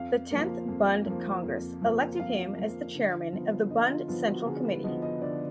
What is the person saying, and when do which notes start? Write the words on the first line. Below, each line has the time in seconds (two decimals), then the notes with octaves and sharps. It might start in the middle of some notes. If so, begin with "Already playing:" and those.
The tenth Bund congress elected him as the Chairman of the Bund Central Committee.
Already playing: F2 F5
0.31 F3 A#3
0.68 F2
1.06 F3 A#3
1.44 F2
1.82 F3 A#3
2.20 F2 F5
2.57 F3 A#3
2.95 D3
3.32 F3 B3
3.70 D3 D#5
3.90 F4
4.08 F3 B3 F4
4.27 F#4
4.46 D3 G#4
4.65 B4
4.84 F3 B3 D#5
5.02 D#5
5.22 D3 D5